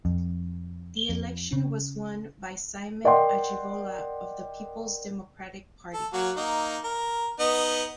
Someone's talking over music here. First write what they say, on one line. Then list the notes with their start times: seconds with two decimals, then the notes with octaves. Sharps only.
The election was won by Simon Ajibola of the Peoples Democratic Party.
0.05 F2
1.09 F2
1.53 C#3
3.05 A#4 D5 D#5 F#5 G5 C6
5.94 A4
6.13 F#3 A#3 F#4
6.37 A#3 D#4
6.84 A#4
7.40 B3 D#4 D#5